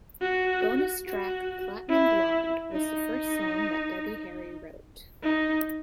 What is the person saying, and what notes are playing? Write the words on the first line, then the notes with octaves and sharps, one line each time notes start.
Bonus track "Platinum Blonde" was the first song that Debbie Harry wrote.
F#4
F#4
E4
D#4
D#4